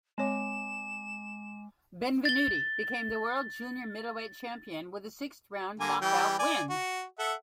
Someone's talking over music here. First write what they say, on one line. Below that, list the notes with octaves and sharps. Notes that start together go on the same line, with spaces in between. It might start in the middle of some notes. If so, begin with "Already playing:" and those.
Benvenuti became the world junior middleweight champion with a sixth-round knockout win.
G#3 C4 C#5 G#5 D6 E7
A6 G7
D3 A#3 G#5
E3 G3 G5
D5 G#5
F#4
A4 E5 F#5